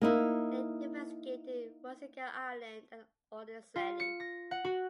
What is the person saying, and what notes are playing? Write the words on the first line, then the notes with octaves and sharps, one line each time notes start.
They investigated Rusinga Island and Olorgesailie.
A#3 D#4 E4
F4
C#7
A#6
F#5
F#4